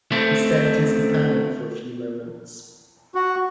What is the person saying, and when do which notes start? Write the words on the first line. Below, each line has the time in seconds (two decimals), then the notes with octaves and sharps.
He stared at his companion for a few moments.
0.12 A3 C4
3.15 F#4